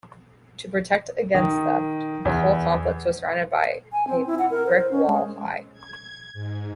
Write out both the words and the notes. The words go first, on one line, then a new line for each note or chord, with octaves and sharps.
To protect against theft, the whole complex was surrounded by a brick wall high.
D#3
E2
G#5
C4
E4
F#5
A#4
C5
C#4
G#3
G#6
G#2